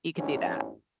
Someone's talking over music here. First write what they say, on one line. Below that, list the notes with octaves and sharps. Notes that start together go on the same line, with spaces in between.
you can do that.
A1 E2 G#2 C#4